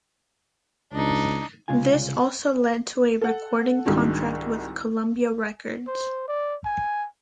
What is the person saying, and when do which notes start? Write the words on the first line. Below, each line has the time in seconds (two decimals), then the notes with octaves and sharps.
This also led to a recording contract with Columbia Records.
0.93 C#2 D4 D#4
1.68 C2 C#3 G#3 F4 G#5
3.21 A4 F#5
3.85 C2 G#2 D#3 D4 F#4
5.88 C5
6.28 D5
6.65 G#5